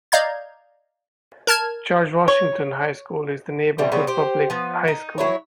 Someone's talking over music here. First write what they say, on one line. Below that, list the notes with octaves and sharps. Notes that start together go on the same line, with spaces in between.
George Washington High School is the neighborhood public high school.
D5 D#5 F5 A#5 G6 G#6
A#4 A5 F6 G#6
C#5
B2 E3 G3 C4
C#3 G3 B3 C4
G4 C5
F3 B3
D#4
F#3 E4 C#5